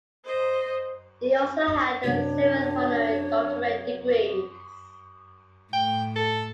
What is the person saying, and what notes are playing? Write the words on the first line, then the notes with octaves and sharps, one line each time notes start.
He also had several honorary doctorate degrees.
C5 D#5
F#2 C3 D4 C#5
A2 G5
A4